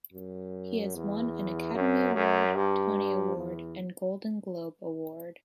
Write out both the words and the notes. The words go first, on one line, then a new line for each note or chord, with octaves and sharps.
He has won an Academy Award, Tony Award, and Golden Globe Award.
F#2
E2
F#2
F#2
G2
E2